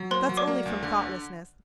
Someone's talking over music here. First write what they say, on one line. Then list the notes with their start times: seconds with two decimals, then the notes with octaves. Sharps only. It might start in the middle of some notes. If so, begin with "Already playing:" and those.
That's only from thoughtlessness.
Already playing: F#3
0.11 A#3 C5 C6
0.29 F#3
0.37 D5 D6
0.47 A#3
0.66 D2
0.83 D3